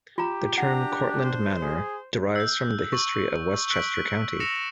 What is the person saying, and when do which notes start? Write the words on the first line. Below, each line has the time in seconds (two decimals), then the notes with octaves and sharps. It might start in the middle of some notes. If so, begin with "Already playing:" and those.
The term "Cortlandt Manor" derives from the history of Westchester County.
0.18 F4 G4 A#5
0.58 D4 G4 F#5 A#5
1.22 C5
1.62 G#4
2.36 E6 F#6 G6
2.93 C#6 F#7
3.70 E6 F#6 B6 D7 F#7
4.40 E6 A#6 C#7 E7 F7